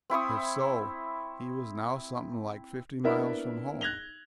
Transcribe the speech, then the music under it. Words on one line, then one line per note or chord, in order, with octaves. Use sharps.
If so he was now something like fifty miles from home.
C4 E4 C#6 D#6
A#3 B3 D4 E4 A#4 E5
F#6 G#6 A#6 F7 G7